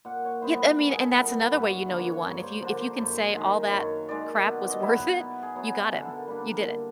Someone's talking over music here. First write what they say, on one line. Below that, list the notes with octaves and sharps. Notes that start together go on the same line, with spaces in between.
Ye I mean, and that's another way you know you won. If you if you can say all that crap was worth it, you got him. You did it.
A#2 F#5
C#5
G3 B3 E4 C5
B4
A#2 A#4
G#4
A4
G3 B3 E4 A#4
B4
G2 B4
C#5
D3 F3 A#3 C#5
C#5
G2 C#5
C5
D3 F3 A#3 C5
C5
F#2
D#3 G#3
F#2 C#5
D#3 G#3 D5
B2
D#5
F#3 B3 E4
B4
B2
G#4
F#3 B3 E4
G#4
D3 A4
A4
A#4
G3 A#3 D4 B4
A#4
D3 A4